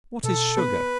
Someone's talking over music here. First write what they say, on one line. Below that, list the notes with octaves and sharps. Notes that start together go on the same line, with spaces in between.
What is Sugar?
B2 A4
B3 B4